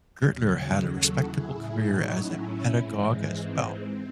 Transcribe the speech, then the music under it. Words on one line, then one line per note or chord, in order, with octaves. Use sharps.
Gertler had a respectable career as a pedagogue, as well.
D#2 C#3 F#3
F#4 A4
E4 G#4
A2 F#3 E4 G#4
D#4 F#4
C#4 E4
G#2 E3 G#3 C4
C4